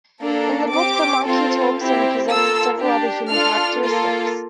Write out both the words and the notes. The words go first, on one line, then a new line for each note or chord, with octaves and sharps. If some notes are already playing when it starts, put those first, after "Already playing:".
In the book, the monkey talks and possesses several other human characteristics.
A#3 D4 A4
C4 G4 D6
C4 F4 A4
C4 E4 G4
A#3 F4 A4 E6
D4 G4
D4 F4 A4 F6
A#3 F4 A4